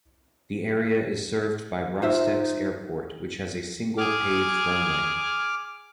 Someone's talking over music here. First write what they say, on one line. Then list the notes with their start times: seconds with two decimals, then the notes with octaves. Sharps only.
The area is served by Rostex Airport, which has a single paved runway.
2.02 D#4 F4 C5 E5
3.98 G#4 D6 F6